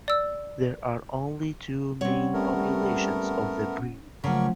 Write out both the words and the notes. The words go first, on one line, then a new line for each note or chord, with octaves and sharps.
There are only two main populations of the breed.
D5 E6
G3 C4 C#4 C#5 F#5
A3 B3 A#4
C#3 F3 F#3 A3 A#3 A#4 F#5 C#6